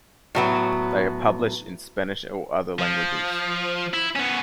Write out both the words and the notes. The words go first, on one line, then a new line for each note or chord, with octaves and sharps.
They are published in Spanish or other languages.
A2 F#3 B3
F3
E4
B3 C#4